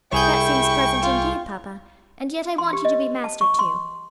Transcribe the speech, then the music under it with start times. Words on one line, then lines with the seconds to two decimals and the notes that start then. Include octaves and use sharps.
That seems pleasant indeed, papa; and yet I want you to be master too.
0.12 C2 E4 G#4 G5 C#6 G6
1.03 F4
2.58 C6
2.73 G4
2.85 D#5
3.24 A5
3.41 C#6
3.59 C6